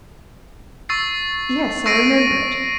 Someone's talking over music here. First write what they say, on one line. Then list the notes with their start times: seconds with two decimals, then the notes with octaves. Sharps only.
"Yes; I remember it."
0.89 C#6 E6 A6 C7
1.86 C#6 E6 A#6 C7 D7 D#7